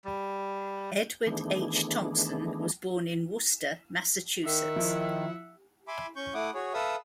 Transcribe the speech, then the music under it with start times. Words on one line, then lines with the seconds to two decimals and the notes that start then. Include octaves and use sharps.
Edward H. Thompson was born in Worcester, Massachusetts.
0.05 G3
1.27 D#3 E3 A3 B3 D4 G#4
4.45 D#3 E5 F#5
4.76 F3 E4
5.88 E5 G#5 B5 C6 D6
6.16 C#4 C#6 G6
6.34 A3 E4 F#5 D6 D#6
6.54 F#4 G#4 C#5
6.74 A4 B4 E5 F5 D#6 E6